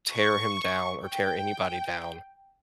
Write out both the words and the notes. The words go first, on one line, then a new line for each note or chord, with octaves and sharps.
tear him down or tear anybody down
C#6
G5